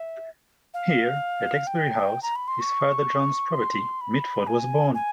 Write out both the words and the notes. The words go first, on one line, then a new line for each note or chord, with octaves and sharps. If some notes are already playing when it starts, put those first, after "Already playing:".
Here, at Exbury House, his father John's property, Mitford was born.
Already playing: E5
F5
G5
A#5
B5
C6
C#6
C6
B5
G#5
G#5